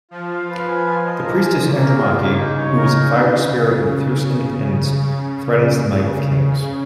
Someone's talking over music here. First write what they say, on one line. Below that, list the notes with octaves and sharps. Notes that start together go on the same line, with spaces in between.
The priestess Andromache, whose fiery spirit and fierce independence threatens the might of kings.
F3 F4
F5
B4
G#5
F4
D#5
A#4
G#5
C#3 A#3
A#4
F4
A#3
D#4
C#5
A#4
D#4
B3